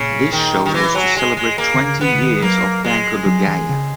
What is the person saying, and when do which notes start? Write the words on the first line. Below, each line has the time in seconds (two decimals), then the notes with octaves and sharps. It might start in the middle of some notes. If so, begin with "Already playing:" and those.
This show was to celebrate twenty years of Banco De Gaia.
Already playing: A#2 C#3
0.32 D#3
0.66 D#3
0.74 E3
0.95 F#3
1.17 G#3
1.37 G#3
1.58 A#3
1.74 D#3
1.79 C#3
2.00 D#3 B3
2.14 C#3
2.22 D#3
2.42 F#3 A#3
2.84 G#3
3.26 F#3
3.48 E3
3.69 C#3